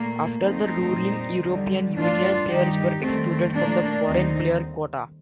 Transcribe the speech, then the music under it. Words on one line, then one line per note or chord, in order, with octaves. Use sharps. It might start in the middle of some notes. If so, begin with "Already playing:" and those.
After the ruling European Union players were excluded from the "foreign" player quota.
Already playing: A#2 A3 A#3
F2 D3 F3 A3 C4 D#4
A#2 G3
F2 D3 G3
G2 F3 A3 D4 F4
G2 D#3 G3 D#4 G4
F2 D#3 G3 A3 C4
A#2 A3 A#3 D4
D#2 D3 G3 C4 D#4